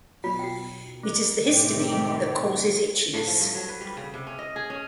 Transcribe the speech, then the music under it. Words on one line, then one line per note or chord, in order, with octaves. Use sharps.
It is the histamine that causes itchiness.
B2 F#3 F4
F#4 G5
A3
A2 C3 D#3 A3 C4 G4
A2
F3
G2
F#3
B4
G3
C#3
C3
C#4
D#5
G#4
C#4